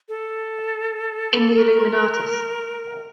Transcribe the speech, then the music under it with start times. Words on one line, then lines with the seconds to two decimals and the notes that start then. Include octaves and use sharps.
In The Illuminatus!
0.09 A4
1.57 A#4